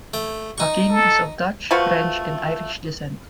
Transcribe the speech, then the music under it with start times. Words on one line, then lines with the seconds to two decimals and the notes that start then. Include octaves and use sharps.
Paquin is of Dutch, French and Irish descent.
0.14 A3 G5
0.58 D#4 C#6
0.93 A4
1.71 F3 A3 F#4 B4